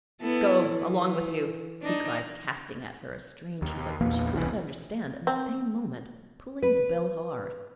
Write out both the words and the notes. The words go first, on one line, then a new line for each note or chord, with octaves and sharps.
"Go along with you!" he cried, casting at her a strange look which she could not understand, and the same moment pulling the bell hard.
B3 E4 A4
E3
D4 D#4
D#2
A#1 E2 E3 A#3
E1 C2 D3 E3
C4
B4